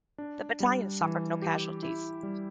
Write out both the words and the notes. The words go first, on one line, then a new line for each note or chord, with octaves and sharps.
The battalion suffered no casualties.
D4
G3
E3
G4
E4
G3